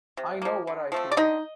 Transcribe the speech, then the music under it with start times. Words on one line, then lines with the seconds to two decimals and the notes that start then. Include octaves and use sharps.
I know what I hear.
0.17 C3
0.42 F3 A#3
0.67 D3
0.92 F3 A3 C4
1.12 D5
1.17 D3 D#4 D#5